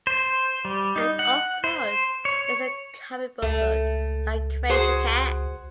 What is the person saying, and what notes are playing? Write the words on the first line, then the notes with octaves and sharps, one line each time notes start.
And of course there's the comic book look - like Krazy Kat.
C5
G3
D#4
F#5
C5
C#5
C#2 A3
F#4 G#4 C5